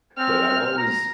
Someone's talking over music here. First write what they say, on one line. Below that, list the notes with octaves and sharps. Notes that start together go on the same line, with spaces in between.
but I've always
C4 F6
A#5